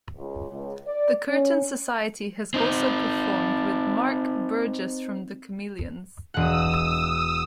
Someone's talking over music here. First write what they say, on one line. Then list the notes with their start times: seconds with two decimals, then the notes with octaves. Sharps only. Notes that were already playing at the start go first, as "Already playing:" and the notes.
The Curtain Society has also performed with Mark Burgess from The Chameleons.
0.16 C#2
0.50 C#2
0.86 D5
1.28 C#4
2.54 C4 D#4
6.34 E1 F#5 D#6 E6